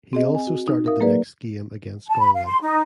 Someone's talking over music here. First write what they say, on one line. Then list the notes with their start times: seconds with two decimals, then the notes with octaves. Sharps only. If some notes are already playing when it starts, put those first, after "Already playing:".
He also started the next game against Galway.
0.13 C4 G#4 D#5
0.35 G#5
0.47 F#4
0.68 D#4
0.86 A#4 E5 F5 D#6
1.00 F#3 A#3 G#4 B4 D5
2.07 A5
2.20 B5
2.34 F5
2.46 C6
2.61 D#4